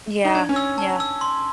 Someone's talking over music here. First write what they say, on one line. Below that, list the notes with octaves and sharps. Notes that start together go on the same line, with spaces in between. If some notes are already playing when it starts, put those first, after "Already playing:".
Yeah, yeah.
D#4
D4 G#6
C#4
E6
A5
E6
C6